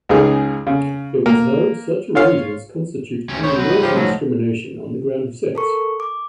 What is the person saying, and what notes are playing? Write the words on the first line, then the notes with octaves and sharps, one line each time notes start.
It was held such arrangements constitute unlawful discrimination on the ground of sex.
C#2 C#3 D#4 G#4
C#3
A#3
F4 C#5 F5
D2 C3 C#4
B3 C5 C#5 G6
C2 F#3 B4
C4 D#4 D#5
G#2 C#3 F3 G4 A#4
F3 F#3 A3 D#4 F4
A4 A#4 C#6
D6